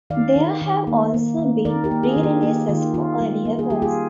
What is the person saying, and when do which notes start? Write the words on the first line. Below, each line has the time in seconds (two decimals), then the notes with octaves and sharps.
There have also been re-releases for earlier works.
0.10 D#3 D5 F5
0.36 D#3
0.61 D#3
0.87 A#3
1.14 A#3
1.39 D#3
1.65 D#3 A#4 D5
1.84 G4 A#4
1.91 A#3
2.03 F4 G#4
2.16 D#3
2.23 G4
2.43 A#3 G4
2.69 D#3 F4
2.94 D#3 F4
3.20 G3
3.45 A#3
3.59 G#4
3.70 G3 G4
3.82 F4 G#4